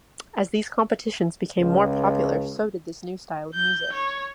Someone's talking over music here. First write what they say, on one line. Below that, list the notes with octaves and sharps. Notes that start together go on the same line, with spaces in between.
As these competitions became more popular so did this new style of music.
C#2
G6
C#5